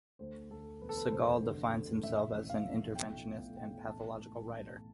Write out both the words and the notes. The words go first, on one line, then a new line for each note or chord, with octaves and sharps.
Segal defines himself as an "interventionist" and "pathological writer".
D2 C5
D2 A4
E1 B4
A4
B4
F1 C5
D3
F1
A1 E5
A1
F5
F3
B1 G5
B2
B2 G5
A1 A5
A2
A1